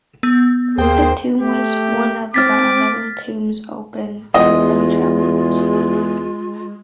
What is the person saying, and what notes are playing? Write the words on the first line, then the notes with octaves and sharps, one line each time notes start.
The tomb was one of about eleven tombs open to early travelers.
B3
D#2 A#3 G#4 C5 G5
A3 G4
C4 D6 F6 A6 B6
E2 G#3 F4 D#5